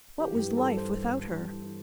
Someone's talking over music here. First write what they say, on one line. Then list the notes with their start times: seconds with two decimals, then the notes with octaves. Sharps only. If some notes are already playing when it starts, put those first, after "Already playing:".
What was life without her?
0.19 E3 G4
0.34 G2 G4
0.48 E3
0.57 G2 A4
0.77 G3 C5
0.91 G2
1.05 G2
1.20 G2
1.34 G2
1.49 E3
1.62 E3